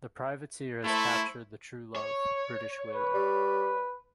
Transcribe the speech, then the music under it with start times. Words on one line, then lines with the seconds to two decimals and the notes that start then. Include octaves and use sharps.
The privateer has captured the "Truelove", British whaler.
0.84 A3 E4 C5
1.96 C#5
2.94 B4
3.14 G3